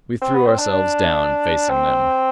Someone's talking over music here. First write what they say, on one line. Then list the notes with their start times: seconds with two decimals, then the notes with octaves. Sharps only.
We threw ourselves down, facing them.
0.21 C4
0.34 B3
0.46 C4
0.59 D4
1.70 C4